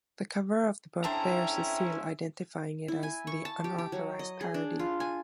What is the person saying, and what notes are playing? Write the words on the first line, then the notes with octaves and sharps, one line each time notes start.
The cover of the book bears a seal identifying it as The Unauthorized Parody.
C#4 D4 E4 A4 C5 E5 G5 A#5
E4
G#5
C#6
A5
G4
G4
F#3
D#5
G#4
D4
F4
G#5